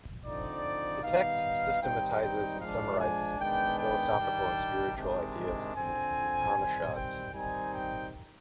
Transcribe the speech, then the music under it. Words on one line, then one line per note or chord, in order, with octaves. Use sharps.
The text systematizes and summarizes the philosophical and spiritual ideas in the Upanishads.
D3 F3 C4 D#4 D5
D#3 G3 B3 D#4 F5
D#3 G3 C4 D#4 G5
G5
F3 G#3 D4 F5
G#5
D#3 G#3 B3 D4 G5
G5
D#3 G3 D4
C3 D#3 G#3 D4
D3 F3 C4 G#5
D#3 G3 C4
G5
D#3 G3 C4 D#4 G#5
G5